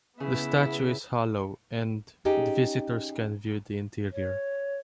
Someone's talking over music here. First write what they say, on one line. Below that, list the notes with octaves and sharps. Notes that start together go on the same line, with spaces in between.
The statue is hollow, and visitors can view the interior.
C#3 B3 E4
C#4 D#4 G4 G#4
C#5